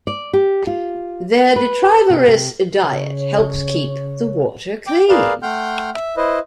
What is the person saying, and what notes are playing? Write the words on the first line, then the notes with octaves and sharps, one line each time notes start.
Their detrivorous diet helps keep the water clean.
D5
G4
F4
B4
C3
C3
C#3 C#5
G5 D6
G#4 A#4 B4 D5 F5
A3 F#5 G5 C6 F6 G6
E5
E4 B4 C5 D#5